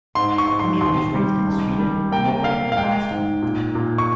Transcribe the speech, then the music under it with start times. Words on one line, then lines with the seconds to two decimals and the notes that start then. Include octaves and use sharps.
Camille was raised in Sweden, Norway and Boston.
0.15 G#2 C6
0.38 C#6
0.48 G#2
0.60 C6
0.81 D#2 C6
1.15 G3
1.47 C#2
1.79 G3
2.12 A#3 G5
2.44 A#3 F5
2.72 F5
2.77 G#3 G5
3.11 G#2
3.42 A#2
3.75 A#2
3.98 C#6